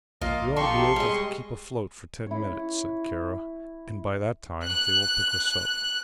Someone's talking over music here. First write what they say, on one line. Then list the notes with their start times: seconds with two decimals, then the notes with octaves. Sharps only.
"We ought to be able to keep afloat for ten minutes," said Kara, "and by that time they will pick us up."
0.21 A#1 A#3 F4 D#5
0.56 D#4 F4 G4 A4 C6 C#6
0.96 G3 G#3 D#5
2.27 E4 C#5
4.67 F#6